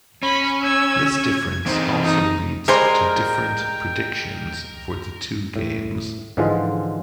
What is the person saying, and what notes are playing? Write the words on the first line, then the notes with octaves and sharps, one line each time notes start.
This difference also leads to different predictions for the two games.
C#4 B5
E6 G#6
G#6
E3 C4 D#4 C5
D#4
G3 G#3 A#4 C5 G5
A2
G#2 D3 E3 F3 G#3 F4